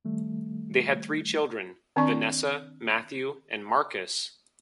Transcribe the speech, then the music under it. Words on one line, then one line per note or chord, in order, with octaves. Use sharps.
They had three children: Vanessa, Matthew, and Marcus.
D#3 G3 A3
D#3 C4 D4 D5 C#6